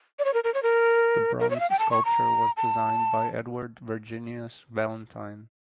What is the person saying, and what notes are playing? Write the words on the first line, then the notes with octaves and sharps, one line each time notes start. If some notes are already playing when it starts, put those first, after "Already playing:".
The bronze sculpture was designed by Edward Virginius Valentine.
D5
C#5
A#4
A#4
C#5
A#4
A#4
C#5
E5
F5
G5
A5
C#6
A#5
A5